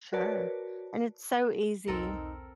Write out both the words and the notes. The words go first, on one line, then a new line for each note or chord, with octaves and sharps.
Sure. And it's so easy,
F#4 A#4 B4 C#5 D5 A5
B1 E2 C4 D#4 A4 A#4